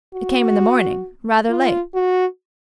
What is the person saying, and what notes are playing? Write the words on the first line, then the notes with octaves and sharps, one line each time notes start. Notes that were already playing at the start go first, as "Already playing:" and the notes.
It came in the morning, rather late.'
F#4
F4
F#4